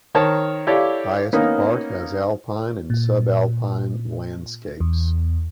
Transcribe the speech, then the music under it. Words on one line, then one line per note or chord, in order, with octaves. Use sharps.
Highest part has alpine and subalpine landscapes.
D#3 A#4 C5 C#5 A5
E4 G4 A4 C#5 D5 F5
A#3 B3 C#4 D#4 A#4
A#2
E2